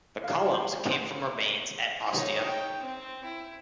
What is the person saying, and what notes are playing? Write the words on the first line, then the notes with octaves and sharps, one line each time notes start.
The columns came from remains at Ostia.
F5
C5
C5
D#4 C#5
G5
C4
E4